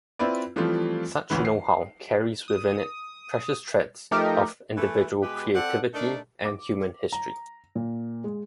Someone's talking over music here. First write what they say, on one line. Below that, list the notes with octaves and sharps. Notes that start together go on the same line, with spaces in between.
Such know-how carries within it precious threads of individual creativity and human history.
C4 E4 F4 B4 D5
E3 F3 G3 A3 C4 F4
A1 D2 E3 B4
C7
D#6
F3 A3 D#4 G4 A#4
E3 A3
B2 G#3 G4 B4
C4 A4 D5 F#5
A3 D4 D#4 A#4 D5
D6
A#5
A#2
G#3